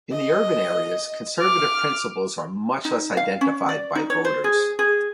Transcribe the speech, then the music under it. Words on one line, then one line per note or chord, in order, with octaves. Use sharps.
In the urban areas, conservative principles are much less identified by voters.
D#5
D6 F6
D#4
F5
C#4
D5
D#4
C#5
C5
G#4
G#4